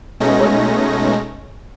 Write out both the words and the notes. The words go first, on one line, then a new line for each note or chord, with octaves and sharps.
So, what
B2 G#3 A3 C#4 D#4 A#6